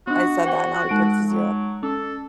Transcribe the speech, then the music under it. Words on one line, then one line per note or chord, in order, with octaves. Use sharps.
I said that, now he perks his ear up-
B3 D4 F#4
C5 F#5 G5
G#3 D#4 D7
F#3
C#4 A4